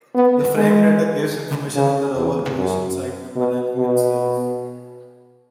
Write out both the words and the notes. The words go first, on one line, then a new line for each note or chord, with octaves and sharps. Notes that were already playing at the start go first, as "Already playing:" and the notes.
The frame data gives information on the rover position, site number, and image size.
B3
G#3
C#3
E2
F#2
B2
B2